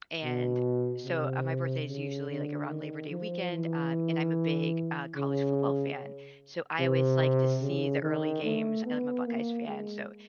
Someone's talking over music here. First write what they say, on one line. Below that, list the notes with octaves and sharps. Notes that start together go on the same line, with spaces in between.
And so uh, my birthday is usually, like, around Labor Day weekend, um, and I'm a big, uh, college football fan, so, I always like to see the early games, I'm a Buckeyes fan, so,
B2
C3
C#3
D3
D#3
F3
E3
C#3
C3
C#3
D#3
A3
B3
A#3
G#3